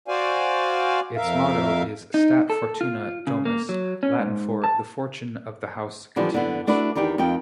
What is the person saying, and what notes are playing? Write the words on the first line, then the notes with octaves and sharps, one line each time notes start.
Its motto is "Stat Fortuna Domus", Latin for "The Fortune of the House Continues".
F#4 C5 D5 F5 G#5
F2 A#4 E5 F5
D#4
A4
F4
C#3
A#3
F#3
C#4
G#2
A5
D3 E3 F3 G3
D3 B3
A3 D4 E4 F#4 B4
E2 D#3 D4 G4 G5
F2 D#3 F4 G5